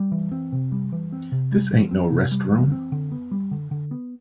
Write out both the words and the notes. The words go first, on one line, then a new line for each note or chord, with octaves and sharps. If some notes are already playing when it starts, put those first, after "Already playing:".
This ain't no rest-room.
Already playing: G3
E3
C4
C3
G3
E3
C4
C3
G3
E3
C4
C3
G3
E3
C4
D3
B3
G3
D3
D3
B3